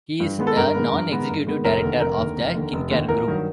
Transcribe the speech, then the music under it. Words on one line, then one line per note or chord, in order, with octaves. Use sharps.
He is a Non-Executive Director of the Kincare Group.
G2
D#3 G#3 B3
A4
G2 A#4
D#3 G#3 B3
G2
D#3 G#3 B3
G2
D#3 G#3 B3
F1 A#4
D#2 D3
F1 A#4
D#2 D3
F1
D#2 D3
F1
D#2 D3
A1 A#4
G2 D#3 F#3